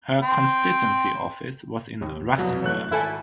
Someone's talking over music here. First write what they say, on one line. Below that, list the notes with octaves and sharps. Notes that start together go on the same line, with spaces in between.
Her constituency office was in Rustenburg.
G5 C6
D#2
C2 F2 B2 F#3
A1 A3 F#6
G#1 E4 A4 G#5